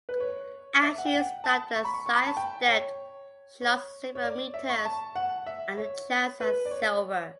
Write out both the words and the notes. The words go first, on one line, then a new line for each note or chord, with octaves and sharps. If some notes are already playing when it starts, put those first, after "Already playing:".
As she stopped and sidestepped, she lost several metres and the chance at silver.
B4
C#5
E5
F#5
G5
F#5
A5
C#6
B5
C#6
C#6
B5
A5
G5
C#5
C#5
C#5
D5
E5
C#6
A5
F#5
E5
C#5
B4
D5
C#5